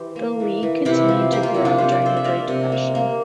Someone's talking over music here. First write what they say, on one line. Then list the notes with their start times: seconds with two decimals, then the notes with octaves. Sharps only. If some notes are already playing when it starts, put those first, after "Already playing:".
The League continued to grow during the Great Depression.
Already playing: E3 G4 C5
0.16 A#3
0.40 E3
0.63 E3
0.85 C3 E4 G4
1.09 F3
1.32 A#3 G4
1.43 F4
1.54 C3 E4
1.65 D4 F4
1.78 C3 C5
1.92 D5
2.02 F3 A4 C5
2.17 E5
2.24 A#3 A#4 D5
2.48 C3
2.72 A#3
2.95 A#3